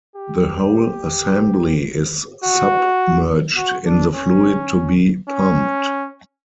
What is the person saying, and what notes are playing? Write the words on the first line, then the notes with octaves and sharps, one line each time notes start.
The whole assembly is submerged in the fluid to be pumped.
G4
F#4
F#4
D4
C#4
C#4